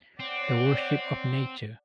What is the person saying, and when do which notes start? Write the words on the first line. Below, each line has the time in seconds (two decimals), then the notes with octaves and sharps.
The Worship of Nature.
0.20 C4 C#5 D5 F#5